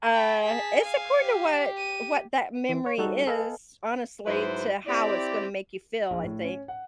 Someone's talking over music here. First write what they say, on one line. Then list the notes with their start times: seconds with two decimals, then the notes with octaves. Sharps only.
Uh, it's according to what what that memory is, honestly, to how it's gonna make you feel, I think.
0.13 G5 B5
0.42 G#4 A5 B6
0.82 F5 G#5
1.20 G4
1.78 D#7
2.69 E3
2.86 C#5
2.98 G3 D#4 F#4 A4
3.27 A4 B4 D#5 F5 G#5 A5
4.26 G#2 F#3 E4 B4 C5
4.86 C4 E4 G4 D5
6.10 A#1
6.23 A2
6.43 C#4
6.68 F#5